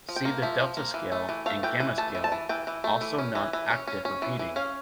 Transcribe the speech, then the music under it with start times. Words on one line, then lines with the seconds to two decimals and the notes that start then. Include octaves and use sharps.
See the Delta scale and Gamma scale, also non-octave repeating.
0.09 F3
0.16 G5
0.25 A#3
0.42 F3 E5
0.60 F3
0.77 A#3
0.94 E3
1.12 A3
1.29 E3
1.46 A3 F5
1.63 E3 G5
1.80 E3
1.98 A3 A5
2.15 E3
2.24 A5
2.32 E3
2.49 E3 G5
2.67 E3
2.84 A3
3.01 E3
3.18 C#4
3.35 E3
3.53 E3
3.70 C#4
3.87 C#4
4.05 C#4
4.22 E3
4.39 E3
4.56 C#4 F5